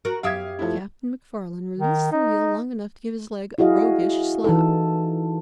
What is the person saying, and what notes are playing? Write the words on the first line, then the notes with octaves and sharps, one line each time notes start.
Captain MacFarland released the wheel long enough to give his leg a roguish slap.
F#4 A#4
F#2 G4 E5 F5 D#6 G#6
F3 A3 E4
D#3
D#4
E4 F#4 G#4 D#5 F5
E3 D#4 A4